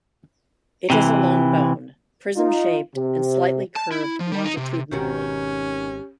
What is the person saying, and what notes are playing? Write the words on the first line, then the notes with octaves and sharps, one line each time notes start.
It is a long bone, prism-shaped and slightly curved longitudinally.
C3 E3
D#4 F4
C3
A5
E4
F3
G3
D#4
C3
G#1 B2 D#3 C#4 F#4 G4